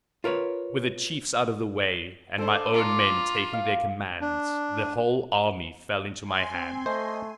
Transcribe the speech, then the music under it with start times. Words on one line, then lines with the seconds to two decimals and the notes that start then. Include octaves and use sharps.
With the chiefs out of the way, and my own men taking their commands, the whole army fell into my hands.
0.24 F4 A#4 B4 C#5
2.38 D4 A4 C5
2.74 F4 A#5 D6
3.53 F5
4.21 D4
6.21 G#5 C6
6.54 C4
6.86 A3 C5 D#5